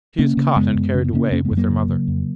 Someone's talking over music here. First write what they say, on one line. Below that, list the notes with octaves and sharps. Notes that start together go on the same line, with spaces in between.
"She is caught and carried away--with her mother."
C#3 A#3 C#4
C#3
F#2 G#3 B3
F#2
C#3 C#4
B3
C#3 A#3 C#4
F#2 A#3 C#4
G#3 B3
F#2
F#3 A#3
C#3
C#3
F2